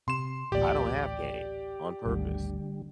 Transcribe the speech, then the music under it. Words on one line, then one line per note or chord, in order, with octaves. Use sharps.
I don't have game, on purpose,
C3 C6 E7
A1 D2 A#2 G4 D5
G#1 D2 D3 G3